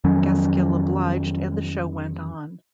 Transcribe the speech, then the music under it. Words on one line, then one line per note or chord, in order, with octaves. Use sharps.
Gaskill obliged and the show went on.
F2 D#3 F#3 C#4